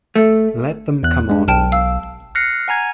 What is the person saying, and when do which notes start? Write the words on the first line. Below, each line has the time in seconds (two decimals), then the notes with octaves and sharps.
Let them come on.
0.16 A3
1.03 E2 F#6
1.30 G#3 D4
1.48 B1 G5 A5 F6
1.72 F5 E6
2.35 F6 F#6 A#6 C7 C#7
2.68 F#5 G#5 A#5 G#6